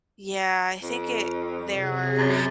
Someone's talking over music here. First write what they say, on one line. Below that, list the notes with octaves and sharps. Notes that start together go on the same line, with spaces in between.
Yeah, I think it there are
F2
C3 G#4
F#2